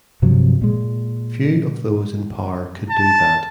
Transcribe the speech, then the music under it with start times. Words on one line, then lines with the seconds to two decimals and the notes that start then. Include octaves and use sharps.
Few of those in power could do that.
0.22 G2 C3 F3 F#3
0.62 A#2 G#3
2.90 A5